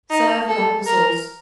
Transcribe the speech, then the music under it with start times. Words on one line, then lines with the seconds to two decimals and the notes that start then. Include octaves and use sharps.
Serve with apple-sauce.
0.10 D#4
0.48 A4
0.86 A#4